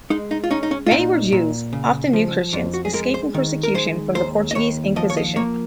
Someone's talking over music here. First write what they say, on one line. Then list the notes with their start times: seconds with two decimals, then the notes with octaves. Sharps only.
Many were Jews, often New Christians, escaping persecution from the Portuguese Inquisition.
0.10 G#3 D#4
0.31 D#4
0.44 F4
0.51 C#4 D#4
0.63 D#4
0.71 C#4
0.86 F4
0.91 A#2 D#4
1.32 A#2
1.73 C#3
2.13 F3
2.53 F2 F4
2.74 F#4
2.85 G#4
2.94 G#3 A#4
3.14 C5
3.34 D#3
3.63 A#4
3.74 G#3 C5
4.15 D#2 C5
4.51 D#5
4.55 D#2 C#5
4.96 F3 D#5
5.10 C#5
5.17 D#5
5.36 A#3 C#5